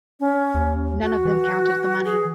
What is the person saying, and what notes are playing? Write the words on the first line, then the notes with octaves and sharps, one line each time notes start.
None of them counted the money.
C#4
D#2
F#4
E3
G#4